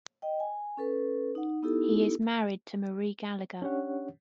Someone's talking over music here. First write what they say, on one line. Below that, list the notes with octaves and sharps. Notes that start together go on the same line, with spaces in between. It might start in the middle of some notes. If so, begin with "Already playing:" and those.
He is married to Marie Gallager.
D#5 G5
G#5
C#4 A4 B4
D#4 F#5
B3 D#4 E4 G4 A4
C#4 D4 G4 C#5 F#5